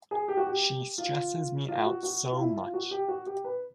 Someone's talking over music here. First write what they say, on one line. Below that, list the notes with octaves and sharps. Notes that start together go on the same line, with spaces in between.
She stresses me out so much!
G#4
G4
F#4
G4
F4
F4
F#4
F#4
F4
E4
F4
F#4
G4
F#4
G4
B4